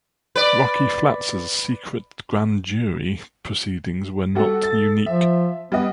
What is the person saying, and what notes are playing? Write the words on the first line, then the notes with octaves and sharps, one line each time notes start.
Rocky Flats' secret grand jury proceedings were not unique.
B4 D5
G3 F#4 A4 F#5
A6
F3 E5
G3 B3 D#5